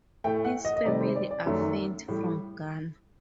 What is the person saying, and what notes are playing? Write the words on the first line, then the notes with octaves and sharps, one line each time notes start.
His family are Fante from Ghana.
A2 A3 G5
F#5
D#5
D#5
C3 D#3 G3 D5
C5
D5
D5
F#2 D#3 F#3 A3
A2 G3